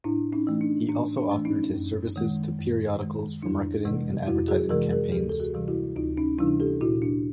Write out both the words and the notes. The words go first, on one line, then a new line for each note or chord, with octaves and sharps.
He also offered his services to periodicals for marketing and advertising campaigns.
A2 D4 E4
C#4 D#4
E3 A3
D4
A2 D4
D4
E3 A3
C#4 D#4
F#2
D#3 G#3
F#2
D#3 G#3
F2 D4 E4
C3 E3 G#3
F2 E4 F#4
F#4 G#4
C3 E3 G#3 G#4 A#4
G#4 A#4
D2 G4 A4
A4
F#4 G#4
C3 E3 G3
E4 F#4
D2 D#4 F4
C#4 D#4
C3 E3 G3 D4 E4
G4 A4
A#2 E4 F#4
D4